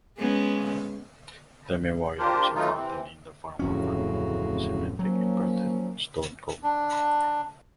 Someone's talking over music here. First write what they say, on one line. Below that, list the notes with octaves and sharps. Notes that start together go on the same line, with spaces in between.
The memorial is a fountain in the form of an asymmetric inverted stone cone.
G#3 B3 C#4
D4 F4 G4 A#4 C5
D#3 F#3 A3 B3 D#4 F4
C3 E3 C4
D1 F2 A2 C#3 C#4 F#4
F3 F#3 A#3 C#4
D4